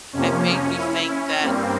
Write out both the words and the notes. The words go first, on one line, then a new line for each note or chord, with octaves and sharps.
It made me think that,
F2 C3 F3 A#3 C#4
E4
C#4
G2 G3 A#3 C4